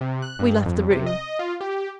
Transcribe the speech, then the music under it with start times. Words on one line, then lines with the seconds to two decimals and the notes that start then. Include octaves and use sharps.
We left the room.
0.01 C3
0.22 F#6
0.39 G2
0.66 F2
0.90 C3
1.06 D#5
1.39 F4
1.61 G4